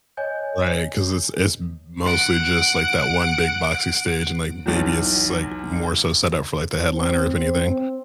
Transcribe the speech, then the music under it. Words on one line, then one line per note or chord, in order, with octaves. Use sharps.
Right, 'cause it's it's m mostly just, like, that one big boxy stage, and, like, maybe it's, like, more so set up for, like, the headliner if anything.
C#5 D#5 G#5 G6
F#5 D7
B1 E2
C4
C4
C4